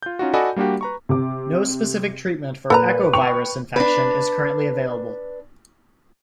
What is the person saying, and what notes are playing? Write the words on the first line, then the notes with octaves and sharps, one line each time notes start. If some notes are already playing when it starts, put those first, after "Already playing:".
No specific treatment for echovirus infection is currently available.
F4 G6
C#4 D#4 F4 F#4
F#4 A4 D5 D#5 G#5 B5
G3 A#3 D4 F#4 G4
B4 A#5 C#6
C3 D6
A#2 A4 B4 F#5 A#5
G5 C#6 F7
D4 B4